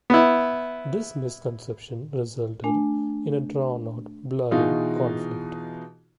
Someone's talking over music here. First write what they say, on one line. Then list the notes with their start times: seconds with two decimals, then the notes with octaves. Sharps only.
This misconception resulted in a drawn-out, bloody conflict.
0.10 B3 E4
2.64 A3 D4 G#5
4.51 B2 E3 D#4 F4 F#4 G#4